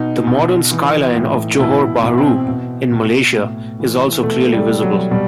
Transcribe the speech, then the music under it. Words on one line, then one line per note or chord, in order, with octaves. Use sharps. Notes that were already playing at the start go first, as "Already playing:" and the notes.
The modern skyline of Johor Bahru in Malaysia is also clearly visible.
Already playing: B2 D#4
B2
E3
A2
B2 E4
B2
C4
B2
B2
A2
E3
B2 A3
G3
B2
F#3
B2 G3